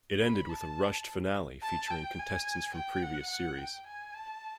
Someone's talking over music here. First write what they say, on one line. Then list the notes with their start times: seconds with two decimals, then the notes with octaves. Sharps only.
It ended with a rushed finale featuring contestants from previous series.
0.22 B5
0.49 A5
1.62 A5
1.91 G5
2.19 G#5
2.75 G5
3.03 F#5
3.31 F#5
3.58 G5
3.87 G#5
4.14 A5